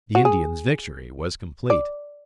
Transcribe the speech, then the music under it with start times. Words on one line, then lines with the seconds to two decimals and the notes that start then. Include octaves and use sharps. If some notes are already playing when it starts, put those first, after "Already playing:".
The Indians' victory was complete.
0.15 F#4
0.25 G#4
1.70 D5